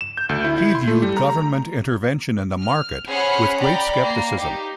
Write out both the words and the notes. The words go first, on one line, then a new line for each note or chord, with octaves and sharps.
He viewed government intervention in the market with great skepticism.
E7
G6
D2
E4
E4
C6
A3
G3
A#5
A#5
F6
C#4 G#4 C5 F#5 B5 F6
D5 G5 A#5 B5
A#3 C7
D#4 G4